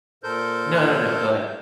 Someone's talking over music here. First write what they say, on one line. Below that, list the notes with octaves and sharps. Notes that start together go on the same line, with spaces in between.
No, no, no, go ahead.
A#2 A4 A#4 C5 G6